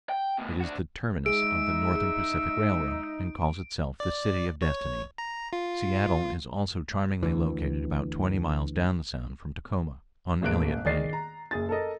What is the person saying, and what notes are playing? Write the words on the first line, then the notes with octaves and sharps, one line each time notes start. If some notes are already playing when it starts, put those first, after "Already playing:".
It is the terminus of the Northern Pacific Railroad, and calls itself the "City of Destiny." Seattle is also charmingly located about twenty miles down the Sound from Tacoma, on Elliott Bay.
G5
D2 B2
D4 F#4
G#3 D#4 G#4 E5 D7
D5
C#5
A#5
F4
D2 E3
E1 A1 G#3 A#3 F#6 D7
D#3 G#4 D5 D#5 A6 C7
A#5
F#1 G#4 A6
A4 A#4 D#5